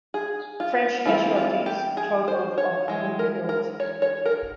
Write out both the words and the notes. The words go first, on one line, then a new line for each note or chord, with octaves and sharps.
French casualties totalled of whom killed.
G#4
F4
E3 G3 C4 E4 F4
F4
G4
G#4
C5
C#5
E3 G#3
A#4
A#4
C#5
C#5
A#4